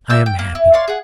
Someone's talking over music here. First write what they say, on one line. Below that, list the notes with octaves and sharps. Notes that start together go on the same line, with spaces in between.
I am happy.
A#3 E4 E6 G6
G5
A#3
E4
C#5 D5 F5 C6
G#4 F#5